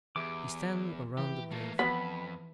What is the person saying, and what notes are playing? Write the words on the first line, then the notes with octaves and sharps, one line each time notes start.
We stand around the grave.
E2 G4 G#4 E5 D6
E3 G4
A3 A#3
F2 B3 B5